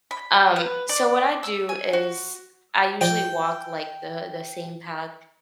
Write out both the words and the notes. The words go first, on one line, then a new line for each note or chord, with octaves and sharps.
Um, so what I do is I usually walk, like, the the same path
B5
B4
D5
E6
G#5
F#4
F3 D5 G5